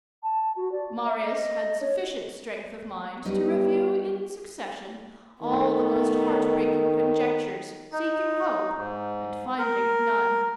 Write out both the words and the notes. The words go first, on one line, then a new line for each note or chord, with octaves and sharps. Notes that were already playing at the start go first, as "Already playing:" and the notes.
Marius had sufficient strength of mind to review in succession all the most heart-breaking conjectures, seeking hope and finding none.
A5
F#4
D5
E5
D#5
C#5
G3 B3 C#4 D#4 G4
D#3 A3 B3
D#4
G#2
A#4